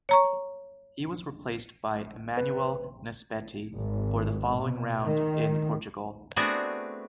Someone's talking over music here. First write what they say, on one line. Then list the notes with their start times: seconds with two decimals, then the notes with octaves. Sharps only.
He was replaced by Emanuele Naspetti for the following round in Portugal.
0.09 C#5 A#5 C#6
2.37 B4
3.76 G#1
4.56 B2
5.02 D#3
6.36 A3 B3 C4 D4 F#4 G#4